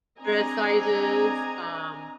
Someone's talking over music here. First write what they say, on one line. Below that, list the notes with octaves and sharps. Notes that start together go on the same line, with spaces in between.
dress sizes, um,
C4 D4 D#5 G#5 A#5